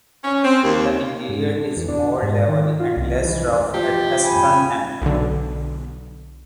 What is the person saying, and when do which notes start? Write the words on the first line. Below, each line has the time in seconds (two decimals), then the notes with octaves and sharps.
The interior is more level and less rough at the eastern end.
0.24 C#4
0.44 C4
0.63 D#2
1.29 G#2
1.58 D3
1.77 E2
1.88 D4
2.22 G#2
2.48 D#3
2.80 F4
2.97 C2
3.24 E3
3.74 F3 G4
4.23 G5 G#5 B5
5.02 B1 D3